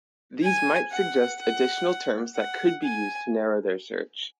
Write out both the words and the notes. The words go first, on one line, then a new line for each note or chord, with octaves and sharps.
These might suggest additional terms that could be used to narrow their search.
G#5
F#5
F#5
F#5
G#5